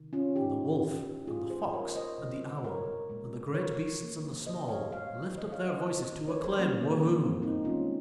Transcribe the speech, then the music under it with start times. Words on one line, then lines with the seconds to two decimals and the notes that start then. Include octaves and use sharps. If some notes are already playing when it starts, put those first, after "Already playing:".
And the wolf and the fox and the owl, and the great beasts and the small, lift up their voices to acclaim Wohoon.
Already playing: C3 D#3
0.13 C#4 F4
0.36 D#3 G#3 D#4 G4
1.27 C#3 G#3 F4 G#4
1.50 G#4 C5
1.73 A#4 C#5
1.95 C5 D#5
2.18 C3 G3 A#3
2.64 A#4 C#5
3.09 A#2 G#3
3.55 A#4 C#5
4.00 C#3 F3 A#3
4.47 C5 D#5
4.68 C#5 F5
4.91 A#2 G3 A#3 C#5 F5
5.37 C5 D#5
5.52 C#5 F5
5.68 C5 D#5
5.83 D#3 A#3
6.28 A#4 C#5
6.44 G#4 C5
6.59 A#3 C#4
6.74 D#3 G3 A#3
6.90 A#3
7.05 A#3
7.20 C4
7.42 C4 D#4
7.65 D#3 G#3 C#4 F4